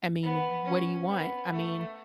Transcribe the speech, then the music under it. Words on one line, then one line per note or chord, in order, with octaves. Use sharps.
I mean, what do you want? I mean,
B3
C#4
B3
A3